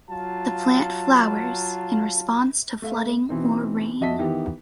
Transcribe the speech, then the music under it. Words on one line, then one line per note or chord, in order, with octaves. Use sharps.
The plant flowers in response to flooding or rain.
F#3 F4 A5
A3 E5 F5
B2 E3 C4 D#4
F2 F#4 D#5 E5 A5 B6
D#3 E3 B3 D#4 E4 G4